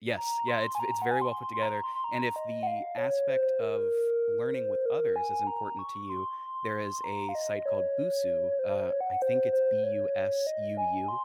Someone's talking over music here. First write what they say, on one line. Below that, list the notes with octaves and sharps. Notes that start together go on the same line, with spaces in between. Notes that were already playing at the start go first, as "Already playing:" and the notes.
Yes, yeah, it's it's very well put together, and if the aspect of learning with others is important to you, there is a site called Busuu, uh, I think it's B-U-S-U-U.
A#5
C6
G#5
A#5
F#5
G#5
C6
C6
C6
C6
A#5
A#5
C6
C6
A#5
D#5
F#5
F5
C#5
C5
A#4
C5
A#4
G#5
A#5
C#6
C6
A#5
F5
D#5
C#5
C5
C#5
F#5
F#5
C5
C5
C#5
D#5
G#5
C6